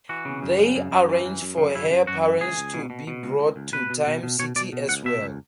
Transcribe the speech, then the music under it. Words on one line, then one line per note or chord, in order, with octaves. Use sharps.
They arrange for her parents to be brought to Time City as well.
E3 F#4
C#3
F#2
C#3
F#2
F#2
E3
F#2
F#2
C#3
F#2 E4
F#2
F#2 F#4
E3
C#2 G#4
C#2
B2
B2
B2
C#2
C#2
C#2
B2 B4
B2
B2
B2
B2 C#5
B2 D5
B2
C#2 F#5
B2 E5
C#2